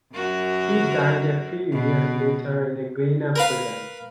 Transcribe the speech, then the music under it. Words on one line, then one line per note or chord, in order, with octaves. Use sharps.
He died a few years later in a Guiana prison.
F#2 F#4 A#4
B2
A#4 B4 F5